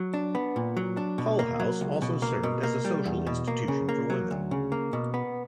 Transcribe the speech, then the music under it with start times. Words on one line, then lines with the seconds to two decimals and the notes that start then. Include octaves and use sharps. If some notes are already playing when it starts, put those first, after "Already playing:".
Hull House also served as a social institution for women.
Already playing: F#3
0.14 D4
0.35 B3
0.56 A#2
0.77 F#3
0.97 D4
1.18 B2
1.39 A#3
1.60 F#3
1.81 C#2
2.02 B2
2.22 A#3
2.43 B2
2.63 A#3
2.85 G3
3.05 E2
3.27 B2
3.48 A#3
3.68 C#3
3.89 A#3
4.10 F#3
4.31 D2
4.51 C#3
4.72 A#3
4.93 B2
5.14 B3